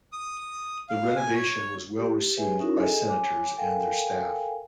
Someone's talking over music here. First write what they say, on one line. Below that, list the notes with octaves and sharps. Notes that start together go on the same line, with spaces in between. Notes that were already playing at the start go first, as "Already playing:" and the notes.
The renovation was well received by Senators and their staff.
D#6
F5
G#5
C#5
G4
G4 G#4 B4 C#5 E5 G#5
C#4 D#4 E4 F#4 A#4 C#5
G#4 A4 D#5 E5 G#5
C#5 G#5 D6
A4 A#4 F5 G5 G#5